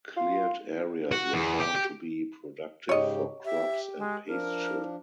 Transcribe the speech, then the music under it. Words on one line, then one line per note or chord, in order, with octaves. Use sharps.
Cleared areas were found to be productive for crops and pasture.
F4
F#4
E2
G4
G4
G#2 C#3 G4 C#5 D#5
G4 E5
G#3
F3 D4 A#4